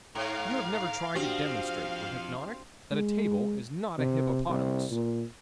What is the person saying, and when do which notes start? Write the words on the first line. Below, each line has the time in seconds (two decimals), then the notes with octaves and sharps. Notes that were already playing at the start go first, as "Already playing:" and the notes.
You have never tried to demonstrate to a hypnotic that a table is not a hippopotamus.
0.15 G#2 A#4 F5
1.15 F2 F3 C4 D4 F#4 G4
2.92 G#3
3.98 C3
4.49 C2
4.91 A#2